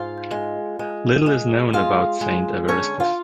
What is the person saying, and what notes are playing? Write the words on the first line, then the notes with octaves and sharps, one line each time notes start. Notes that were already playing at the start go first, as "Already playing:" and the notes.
Little is known about Saint Evaristus.
Already playing: G#2 F4 F5
G#3
G#3
G#3
G#3 F4 F5
G#3
D3 C#4 C#5
F4 F5